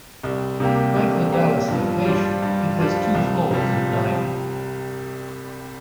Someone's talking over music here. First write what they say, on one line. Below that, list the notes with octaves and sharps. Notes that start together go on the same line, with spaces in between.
Like the Dallas location, it has two floors of dining.
C2 G3
C3 G3 A#3 G4
C2 D3
C3 A#3 G4
G2 F3
G3 D4 F4
G2
F3 G3 D4 F4
C2
C3 G3